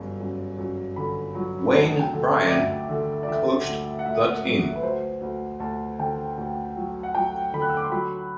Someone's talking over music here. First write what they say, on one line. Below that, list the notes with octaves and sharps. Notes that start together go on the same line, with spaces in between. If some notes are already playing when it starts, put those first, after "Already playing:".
Wayne Bryan coached the team.
Already playing: G1 F#2
F#2
F#2
D3 B5
F#3
D2 A5
G5
D3
E5
D5
D2 E5
D3
D5
D3 E5
D2
F#5
D2 E5
F#3
B4
D2 C5
D2
D2 A5
D3 G5
D2
F#3
F#5
F#3 G5
D3 B5
F#6
E6
D6
C6
F#3 B5